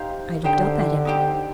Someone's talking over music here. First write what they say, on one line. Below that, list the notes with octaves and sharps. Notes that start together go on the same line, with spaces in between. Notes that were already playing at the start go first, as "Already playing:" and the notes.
I looked up at him.
Already playing: D#4 G4 C5 F5
D3 D#4 G4 C5 G5
D#4 G4 C5 G5